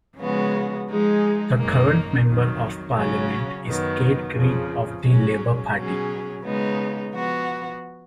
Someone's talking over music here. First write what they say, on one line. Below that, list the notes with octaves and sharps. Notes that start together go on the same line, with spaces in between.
The current Member of Parliament is Kate Green of the Labour Party.
C#3 F3 G#3 B3 F#4
F3 G#3 D#4 G#4
F#2 D#3 A#3 D#4
F2 D#3 F#3
C#3 F#3 C#4 F#4
F#2 D#3 F#3 B3
F2 C#3 F3
G#2 F#3 C#4 G#4
B2 F#3 C#4 G#4
C#3 G#3 B3 D#4
F3 B3 F#4